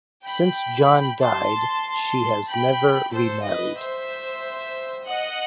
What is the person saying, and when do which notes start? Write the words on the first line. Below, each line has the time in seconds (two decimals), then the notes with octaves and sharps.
Since John died, she has never remarried.
0.25 G5 B5
1.21 A5 C6
2.49 G5 B5
3.13 A4 C5
3.45 B4 D#5
3.78 C5 E5
5.05 D#5 F#5